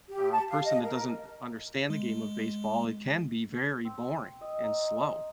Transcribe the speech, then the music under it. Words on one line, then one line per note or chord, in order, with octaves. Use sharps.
uh, person that doesn't understand the game of baseball, it can be very boring and slow.
G4
A5
F5
D#5
A#4
G#3
C4
D#5
A#5